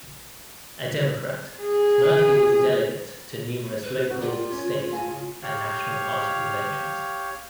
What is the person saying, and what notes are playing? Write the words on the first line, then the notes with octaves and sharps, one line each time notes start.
A Democrat, Murphy was a delegate to numerous local, state and national party conventions.
G#4
B4
D3 F#4
F4 G4 A#4 D5
C#4
A3 F5 G#5
C#3
G4 C#5 F5